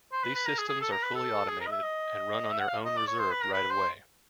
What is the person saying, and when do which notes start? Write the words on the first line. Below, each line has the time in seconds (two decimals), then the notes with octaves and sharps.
These systems are fully automated and run on their own reserved right of way.
0.12 C5
0.23 B4
0.35 B4
0.46 A#4
0.58 G#4
0.69 G#4
0.81 A4
0.92 A#4
1.03 B4
1.15 A4
1.48 G#4
1.61 A#4
1.66 D#5
1.72 E5
1.83 D#5
2.51 E5
2.59 F#5
2.68 F5
2.85 D#5
2.96 D5
3.08 C#5
3.19 C5
3.31 B4
3.42 A#4
3.53 B4
3.70 C5